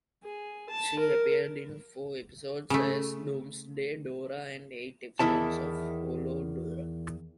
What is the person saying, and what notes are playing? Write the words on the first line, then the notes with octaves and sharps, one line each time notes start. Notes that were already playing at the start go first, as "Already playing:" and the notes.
She appeared in four episodes as DoomsDay Dora and eight episodes as HoloDora.
G#4
A5
A#4
C#3 A3
E2 D#3 E4 A5